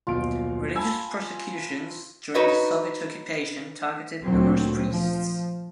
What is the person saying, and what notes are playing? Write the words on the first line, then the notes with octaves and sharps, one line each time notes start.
Religious persecutions during the Soviet occupation targeted numerous priests.
D#1 B1 F4 D7
G#5 A5 B5 E6
D#4 F#4 B4 C#5 D#5
D2 A#2 F#3 C4
F3